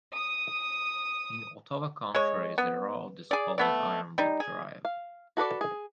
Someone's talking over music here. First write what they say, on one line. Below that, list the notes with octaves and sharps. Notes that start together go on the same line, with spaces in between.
In Ottawa County, the road is called Ironwood Drive.
D#6
G#3 C#5
B3
G#4 D5
A3 B3 D5
G3 D#4
G#4
F5
F#4 A4 B4 D5
G#4